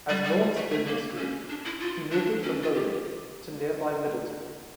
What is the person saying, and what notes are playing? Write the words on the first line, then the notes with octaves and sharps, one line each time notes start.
As North's business grew, he moved it from Berlin to nearby Middletown.
G3
G3
A3
A3
A#3
C#4
D4
E4
F4
D4
C#4
F4
G4